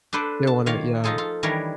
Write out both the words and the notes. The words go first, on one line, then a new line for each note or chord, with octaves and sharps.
they wanna yeah.
D4 A4 B4 C5 D5
A5
D#3 A#3 F4 C#5 F5
F3 D#4 F4 G#4 A4
F4 A4
D#3 E3 G3 D4 A#4 C#5